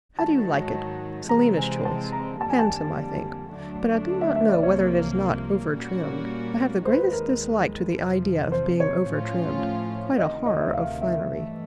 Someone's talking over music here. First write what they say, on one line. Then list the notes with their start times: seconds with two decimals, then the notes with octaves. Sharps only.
How do you like it?--Selina's choice--handsome, I think, but I do not know whether it is not over-trimmed; I have the greatest dislike to the idea of being over-trimmed--quite a horror of finery.
0.19 G#2 D#3 F#3 A5
1.29 C3 E3 G#3 C4 A#5
1.57 G#5
1.85 A5
2.12 A#5
2.40 F2 D3 G3 A#3 A5
2.50 G#5
2.59 A5
3.52 D2 D3 F#3 A3 D4
4.21 E5
4.35 E5
4.49 D5
4.63 C2 C3 F3 A#3 C#5
5.74 A#2 G3 A#3 C#4 F#4
6.85 D#2 D#3 G#3 C5
6.93 B4
7.01 C5
7.13 A#4
7.96 F2 C3 F3
8.52 C5
8.80 C#5
9.07 A2 F3 A3 C#4 F4
10.18 D2 C3 D#3 D#5
10.46 D#5
10.60 E5
10.73 F5
11.02 E5
11.30 G2 E3 A3